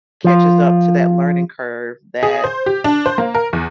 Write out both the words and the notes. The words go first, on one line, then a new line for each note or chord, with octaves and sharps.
catches up to that learning curve that,
F3 F4
G#4
C5
G4
D4
C5
A#3
A#4
E2